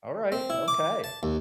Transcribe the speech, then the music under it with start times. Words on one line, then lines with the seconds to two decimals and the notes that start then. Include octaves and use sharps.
Alright, okay.
0.32 C4
0.50 E4
0.68 D6
1.04 A5
1.23 D#2